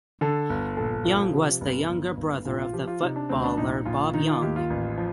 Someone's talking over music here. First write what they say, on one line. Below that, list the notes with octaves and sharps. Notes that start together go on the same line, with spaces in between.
Young was the younger brother of footballer Bob Young.
D3 A4
G1
A#1 A4
F3
C3
G1
G1
G1
A#1 F4
F4
F3 G4
F4
C3 D#4
D4
D2 C4
D4
A#1 D#4
A#1 F4
D#3 D#4
F4
D#2 G4
F4
A1
F3